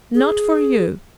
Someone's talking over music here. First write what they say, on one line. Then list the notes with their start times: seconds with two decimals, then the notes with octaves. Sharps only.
Not for you!
0.15 G#4